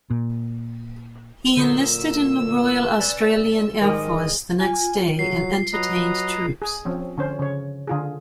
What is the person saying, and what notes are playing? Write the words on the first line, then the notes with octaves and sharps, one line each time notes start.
He enlisted in the Royal Australian Air Force the next day and entertained troops.
A#2
A#2 D3 F#3 D#4 C5 E6
C#4 B4 D5
G#2 D#3 G3 G#3 A#4 D#5
F4 G#5
F#3 C7
F#3 B4 D#5 A#5
G#4
F3 C4 C#4
D3 C#4 C5
C#3 C#5
D3 F4 G#4